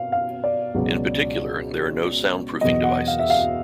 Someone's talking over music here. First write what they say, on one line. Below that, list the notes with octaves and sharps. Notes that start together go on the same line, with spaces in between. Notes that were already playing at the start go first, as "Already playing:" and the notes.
In particular, there are no soundproofing devices.
Already playing: B2 F5
F5
D5
C#2 B2 F#3
E2 B2 F#3 D#5
F#5
F5
E5
F5